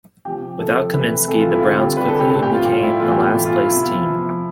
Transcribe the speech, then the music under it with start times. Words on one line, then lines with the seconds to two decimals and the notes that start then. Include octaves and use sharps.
Without Comiskey, the Browns quickly became a last-place team.
0.25 C3 F3 C4 G4
0.59 C3 F3 C4 A4
0.93 C3 E3 A3 C4 B4
1.28 C3 E3 A3 C4 A4
1.40 F4
1.51 E4
1.62 D3 G3 C4 F4
1.79 G4
1.96 D3 G3 C4 B4
2.08 A4
2.20 G4
2.31 A2 G3 C4 A4
2.43 G4
2.54 F4
2.65 A2 G3 C4 G4
2.83 E4
3.00 A2 E3 B3 F4
3.12 G4
3.34 A2 E3 B3 E4
3.46 F4
3.57 E4
3.69 C3 F3 B3 E4
4.03 C3 F3 B3